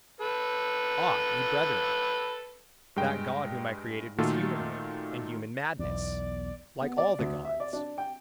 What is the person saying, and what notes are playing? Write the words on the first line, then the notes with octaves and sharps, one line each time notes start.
Ah, ye brethren, that God whom I created was human work and human madness, like all the Gods!
A4 B4
G2 G#3 G5
A#2 D#3 A3 F4 F#4 A4
B1 E2 D5
B3
D5
D2
E5
D5
D4
G5